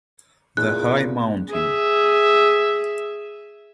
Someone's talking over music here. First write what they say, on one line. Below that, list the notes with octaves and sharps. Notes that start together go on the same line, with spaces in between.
The high mountain.
E2 A#2 D#4 G#4 F#6
G#4 E5